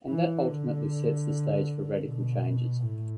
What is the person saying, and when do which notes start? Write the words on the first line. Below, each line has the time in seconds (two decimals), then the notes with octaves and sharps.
And that ultimately sets the stage for radical changes.
0.08 E3
0.48 D3
2.03 B2
2.82 A2